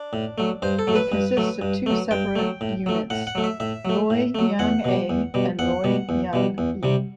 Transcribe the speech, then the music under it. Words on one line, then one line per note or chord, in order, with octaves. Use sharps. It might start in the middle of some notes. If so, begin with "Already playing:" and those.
It consists of two separate units, Loy Yang A and Loy Yang B.
Already playing: D4
A2
F#3 A3
G2 C5
A4
F#3 A3
B4
G2
F#3 A3
G2
F#3 A3
G2 G5
F#3 A3
A2
F#3 A3
A2 F#5
F#5
F#3 A3
E5
A2 E5
F#3 A3
A2
F#3 A3
E2 F#5
B2 G3
E2
B2 G3
E2 F#5
B2 G3
E2
B2 G3
E2
C3 G3